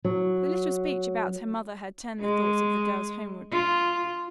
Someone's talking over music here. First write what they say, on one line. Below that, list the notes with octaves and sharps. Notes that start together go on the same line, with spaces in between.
The little speech about her mother had turned the thoughts of the girls homeward.
F#3
G#3
F4